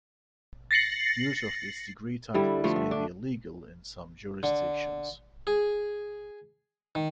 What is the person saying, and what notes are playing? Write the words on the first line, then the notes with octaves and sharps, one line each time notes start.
Use of its degree titles may be illegal in some jurisdictions.
A6 A#6 C7 C#7 F#7
D3 G3 E4
D3 F3 A3
E5
D4
D3
G#4
D#3